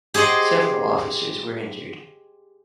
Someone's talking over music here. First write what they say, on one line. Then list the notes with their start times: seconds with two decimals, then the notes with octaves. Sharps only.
Several officers were injured.
0.14 G4 G#4 C5 D#5 F#5